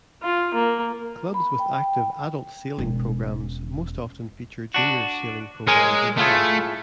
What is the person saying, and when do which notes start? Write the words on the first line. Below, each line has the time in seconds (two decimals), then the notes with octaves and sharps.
Clubs with active adult sailing programs most often feature junior sailing programs as well.
0.22 F4
0.54 A#3
1.34 B5
1.59 G5
2.78 E1 C#4
4.74 D4 F#4
5.68 G#3 A#4 C#5 G#5
6.18 A2 A3 F4 G#4